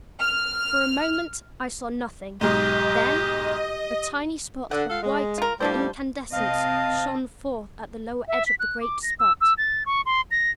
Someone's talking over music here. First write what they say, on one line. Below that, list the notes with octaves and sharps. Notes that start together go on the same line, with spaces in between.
For a moment I saw nothing--then a tiny spot of white incandescence shone forth at the lower edge of the great spot.
F6
B1 G#2 G4 D#5
D3 F#5
F4 A4 F5
G#3
F4 A#4
A2 F3 G3 D4 C5
C3 C4 D#5 F5 A5
E5
B6
F#6
D6
A#6
E6
E6
A6
C#6
C6
A#6